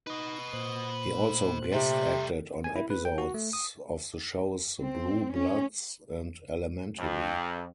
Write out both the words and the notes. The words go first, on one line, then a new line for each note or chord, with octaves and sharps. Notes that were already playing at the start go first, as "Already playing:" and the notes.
He also guest acted on episodes of the shows "Blue Bloods" and "Elementary".
D#4 B4 D#5
A#2 C5 F#6
C3 G3 A3
G#5
E4
B4
G5
F#4
A3
D#6
C4
C#4
F2